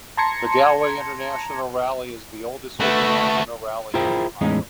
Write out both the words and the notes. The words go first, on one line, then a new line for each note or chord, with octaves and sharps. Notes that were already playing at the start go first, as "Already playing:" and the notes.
The Galway International Rally is the oldest International rally in Ireland.
A5 A#5 C6 G#6 A#6 C#7
A3 F#4 B4 E5
E4 F4 G#4 A#4 C5 G5
E2 A2 G#3 C#4 D#4